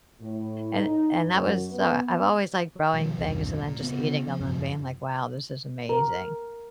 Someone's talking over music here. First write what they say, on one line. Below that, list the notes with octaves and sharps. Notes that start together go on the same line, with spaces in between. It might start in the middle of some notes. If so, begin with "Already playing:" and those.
and and that was, uh I've always liked growing things and then just eating 'em and being like, "Wow, this is amazing."
A2
D#4
F#2
B3
B2 D#3 F3 G3
B1 E2 G2 C3
A#2
C#3 B3
F3
F#2 A#2 F3
A#4